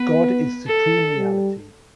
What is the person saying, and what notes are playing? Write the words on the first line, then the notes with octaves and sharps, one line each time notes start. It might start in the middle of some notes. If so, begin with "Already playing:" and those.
God is supreme reality.
Already playing: B3 B4
A4
G3